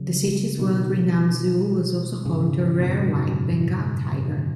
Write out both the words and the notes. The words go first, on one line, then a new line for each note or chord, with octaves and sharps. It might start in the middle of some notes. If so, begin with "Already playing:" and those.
The city's world-renowned zoo was also home to a rare white Bengal tiger.
Already playing: C#3 F#3
B2 D#3
G#2 C#3
F#2 B2
G#2